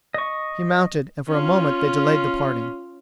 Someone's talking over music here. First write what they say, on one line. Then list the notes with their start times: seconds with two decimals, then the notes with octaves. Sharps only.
He mounted and for a moment they delayed the parting.
0.14 D#5 C#6
1.28 C#4 F4